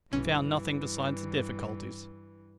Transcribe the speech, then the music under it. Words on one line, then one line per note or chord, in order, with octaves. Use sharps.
'And found nothing besides the difficulties?'
B1 G2 E3 C#4